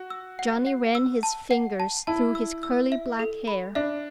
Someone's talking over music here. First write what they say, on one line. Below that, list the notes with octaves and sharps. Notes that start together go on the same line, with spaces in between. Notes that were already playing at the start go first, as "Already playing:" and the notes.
Johnny ran his fingers through his curly black hair.
Already playing: F#4
E6
F#5
F#5
E6
A5
F#5
A5
E4 A5
E6
E6
E5
A4
B5
D4 E5